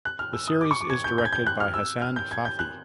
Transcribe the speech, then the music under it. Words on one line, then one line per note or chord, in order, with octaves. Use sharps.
The series is directed by Hassan Fathi.
F#6
F6
E6
D#6
D6
C#6
D6
G#6
G6
G6
G#6
G6
F#6
F6
E6
F6
G6
G#6
G6
F#6